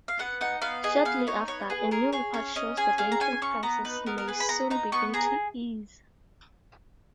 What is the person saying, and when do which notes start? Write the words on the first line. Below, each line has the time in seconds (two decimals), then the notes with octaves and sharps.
Shortly after, a new report shows the banking crisis may soon begin to ease.
0.08 F5
0.19 B3 F#5
0.41 D#4 F#5
0.62 B3 F5
0.84 G#4 D#5
1.05 B3 F5
1.27 D#4 C#5
1.48 B3 C#5
1.70 G#4 B4
1.91 G#4 A#4
2.13 G#4 C#5
2.34 C#4 C#5
2.56 C#4 D#5
2.77 G#4 G#5
2.98 G#4 F5
3.12 A#5
3.20 C#4 G#5
3.42 C#4 C#6
3.63 B3 A#5
3.85 D#4 B4
4.06 B3 A#4
4.18 A#4
4.28 G#4 B4
4.40 B5
4.49 B3 A#5
4.70 D#4 A#5
4.92 B3 C#6
5.14 G#4 A#5